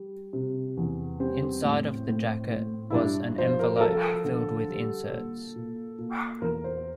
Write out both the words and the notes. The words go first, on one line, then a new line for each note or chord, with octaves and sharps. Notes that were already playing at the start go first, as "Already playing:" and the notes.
Inside of the jacket was an envelope filled with inserts.
Already playing: G3
C3
E2
G3 C4
A2
A2
A2
E4
G2 D4
F3 C5
A#4
A#4
F3 A4
D3
G3
A#2
A#2
A#2
E2 A#4
C5